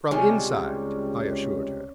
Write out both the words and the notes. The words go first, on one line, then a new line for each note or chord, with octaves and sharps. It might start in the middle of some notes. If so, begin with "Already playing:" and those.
"From inside," I assured her.
C#2 C3 G3 G#3 C#4 D5